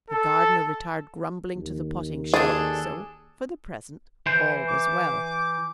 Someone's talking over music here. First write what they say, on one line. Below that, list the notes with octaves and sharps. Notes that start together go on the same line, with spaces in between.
The gardener retired grumbling to the potting shed, so, for the present, all was well.
A4
D#2
D4 G#4 A4
E3 C5
D6